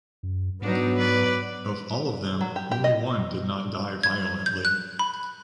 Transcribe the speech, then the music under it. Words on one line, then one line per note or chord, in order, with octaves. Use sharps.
Of all of them, only one did not die violently.
F#2
G#2 F#3 B3 D4 D#4
B4 D5
F#3
G4
G4
D#5
G#6
G6
F#6
B5